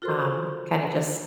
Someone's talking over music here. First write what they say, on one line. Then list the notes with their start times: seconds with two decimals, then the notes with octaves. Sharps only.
um, kinda just
0.02 F4 F#4 A4 A#4 C5 C6